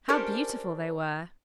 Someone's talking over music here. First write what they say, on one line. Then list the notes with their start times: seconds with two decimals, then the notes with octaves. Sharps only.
How beautiful they were!
0.08 C#4 D4 G4 A4 A#4 C5